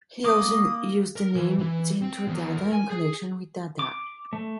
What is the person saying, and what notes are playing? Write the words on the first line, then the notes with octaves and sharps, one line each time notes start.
He also used the name Zentrodada in connection with Dada.
A#3 D6 D#6
A#4
E3
E3
C4
E2
A#4
G#5
G#4
D6
A3